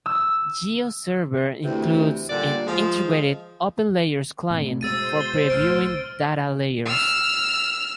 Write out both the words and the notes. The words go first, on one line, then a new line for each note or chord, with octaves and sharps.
GeoServer includes an integrated OpenLayers client for previewing data layers.
E6
D2 C3 E3
A#2 D3 G3 D5
F3 G#3
A2 C3
B2 G#3 C5 E6 A6 D#7
G7
B1 A2 F6 D7
E6 F6